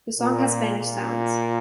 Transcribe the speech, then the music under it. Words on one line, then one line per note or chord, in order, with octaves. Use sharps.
The song has Spanish sounds.
A#2
A#2